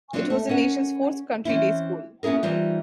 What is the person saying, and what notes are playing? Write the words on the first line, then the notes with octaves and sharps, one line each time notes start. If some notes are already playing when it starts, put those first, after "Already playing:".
It was the nation's fourth country day school.
F#3 C4 D4 F4 B4 C#5
A3
C#4 A#4 F#5
E3 C4 C#4 E4
B3 C#4 E4 G#4 A#4
E3 G3 C4 D#4 F4